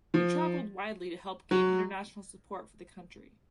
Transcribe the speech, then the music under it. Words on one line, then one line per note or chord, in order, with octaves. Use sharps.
He traveled widely to help gain international support for the country.
F3
F#3